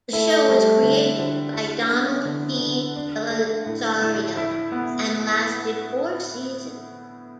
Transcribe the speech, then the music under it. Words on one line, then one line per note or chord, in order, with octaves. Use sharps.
The show was created by Donald P. Bellisario and lasted four seasons.
A3 E4
G3
D3
D3
E4
B3
D3
D3
D4
A3
A2
A2
E4
B3